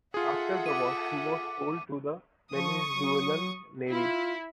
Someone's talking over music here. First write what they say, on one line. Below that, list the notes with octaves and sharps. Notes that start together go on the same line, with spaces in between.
After the war she was sold to the Venezuelan Navy.
F4 G#4 A4 E5 F#5
D6 D#7
F3 C#6 D#6
F#3
E4 F4